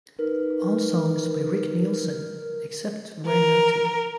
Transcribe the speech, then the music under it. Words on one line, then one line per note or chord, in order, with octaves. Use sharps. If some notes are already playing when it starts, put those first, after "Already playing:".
All songs by Rick Nielsen, except where noted.
D#4 A#4 B4
A#4